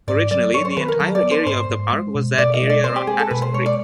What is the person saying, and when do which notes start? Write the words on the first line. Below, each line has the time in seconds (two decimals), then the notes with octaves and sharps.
Originally, the entire area of the park was that area around Patterson Creek.
0.07 G#2 D5
0.31 F#3 D5
0.53 F#3 C#5
0.65 C5
0.77 D#3 B4
0.88 A#4
1.00 F#3 A4
1.15 D5
1.23 B3
1.31 C5
1.46 G#2 C5
1.69 G#2
1.92 G#3
2.15 B2
2.38 B2 D5
2.54 D#5
2.61 G#3
2.70 D5
2.84 C4 C5
2.96 G4
3.07 G#3 G#4
3.19 A4
3.31 B2 B4
3.42 C5
3.54 G#3 C#5
3.66 D5